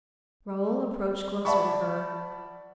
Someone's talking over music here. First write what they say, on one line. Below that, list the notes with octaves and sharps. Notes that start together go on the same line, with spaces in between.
Raoul approached closer to her.
D5 E5 F#5 A5 B5 C#6